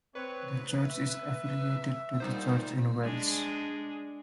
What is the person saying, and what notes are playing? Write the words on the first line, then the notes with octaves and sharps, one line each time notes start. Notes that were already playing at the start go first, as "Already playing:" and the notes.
The church is affiliated to the Church in Wales.
C4 B4 C#5
E5
G2 A#2 G3 B3 D#4 C5
G#3 D4 G#4